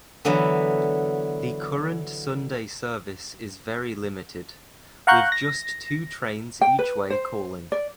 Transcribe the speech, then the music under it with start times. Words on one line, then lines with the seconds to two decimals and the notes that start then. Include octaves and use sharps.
The current Sunday service is very limited, with just two trains each way calling.
0.25 D3 E3 F#3 B3
5.07 F5 F#5 A#5 C#6 F#6 G6
5.32 A#6
6.61 G5
6.79 B4
7.10 C5
7.72 D5